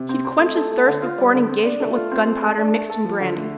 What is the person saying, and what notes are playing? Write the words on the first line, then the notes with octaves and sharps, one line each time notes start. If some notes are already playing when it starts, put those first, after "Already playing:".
He'd quench his thirst before an engagement with gunpowder mixed in brandy.
Already playing: C3
C4
C4
A3
A4
A3
D3
F4
G3
D3
C4
D4
A3
F4
C4
A3
A4
D4
A3
A4
F3
D3
A3